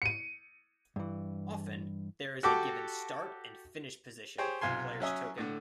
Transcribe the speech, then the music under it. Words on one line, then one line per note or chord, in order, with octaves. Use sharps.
Often there is a given start and finish position for the player's token.
C#7 D#7
G2 E3
F#4 G4 A4 D6
G4 G#4 C5 C#5 G5
B1 C3 F4 G#5 C6
F#3 C#4 E5 D#6
A2 D3